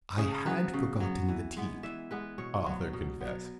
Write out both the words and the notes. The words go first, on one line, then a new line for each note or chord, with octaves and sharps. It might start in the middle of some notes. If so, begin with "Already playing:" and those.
"I had forgotten the tea," Arthur confessed.
C#3 G#4
F#3 B3 B4
C#3
F#3 B3
E3
G#3 B3
E3 E5
G#3 B3 B4
B2 C#5
F#3 B3
B2
F#3 B3